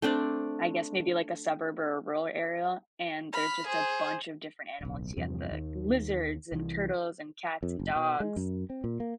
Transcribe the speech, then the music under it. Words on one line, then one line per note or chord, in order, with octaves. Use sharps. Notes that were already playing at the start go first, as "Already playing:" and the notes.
I guess maybe, like, a suburb or a rural area, and there's just a bunch of different animals, you get the lizards and turtles and cats and dogs,
A3 C4 D4 D5
B5 F6
G#4 C5
D1 B1
E2 G2 C3 F3
D#2 D#3
C2 E3
F2
F#1
B2
G#3
F#2
C4
A#2
A#3